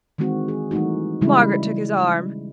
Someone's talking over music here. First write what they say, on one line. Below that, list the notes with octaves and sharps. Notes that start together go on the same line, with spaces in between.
Margaret took his arm.
D#3 E3 G#3 C4 F#4
G#4
E3 G3 A3 D#4 F#4
C#3 E3 G3 G#3 E4